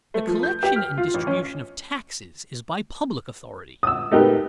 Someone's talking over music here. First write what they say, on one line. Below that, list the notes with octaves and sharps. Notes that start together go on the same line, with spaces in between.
The collection and distribution of taxes is by public authority.
A3
F3
G6
G4
F6
F4
A1
C#4
D#6 E6
A3 D#4 G4 A#4 B4